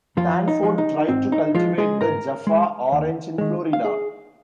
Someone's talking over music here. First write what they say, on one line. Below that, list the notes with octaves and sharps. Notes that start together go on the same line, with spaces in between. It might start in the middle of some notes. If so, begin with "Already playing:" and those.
Sanford, tried to cultivate the 'Jaffa' orange in Florida.
F2 F3 F4
D#4
F3 G#3
D#4
G#2 C4
D#4
F3 G#3 F4
G#3 G#4
G#2 A#4 A#5
G#3
D#2
D#3 G#3
F5
G#4